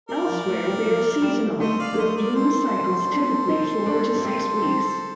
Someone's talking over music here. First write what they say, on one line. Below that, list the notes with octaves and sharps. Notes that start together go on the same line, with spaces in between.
Elsewhere, they are seasonal, with bloom cycles typically four to six weeks.
A#3 A#4 D5
F3
A3
G3
F3
G3
A3 C5 D#5
D5 F5
A#3
A3 C5 D#5
A#4 D5
A#3 A4 C5
D4
D#4
D4
A#3
C4
C4